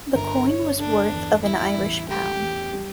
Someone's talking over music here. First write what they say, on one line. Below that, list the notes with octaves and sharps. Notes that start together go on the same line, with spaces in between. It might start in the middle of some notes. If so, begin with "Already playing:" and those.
The coin was worth of an Irish pound.
G1 A#4
G1 C#5
D3 D4
E2
G3 E4
A1
A3 G4
E2
G3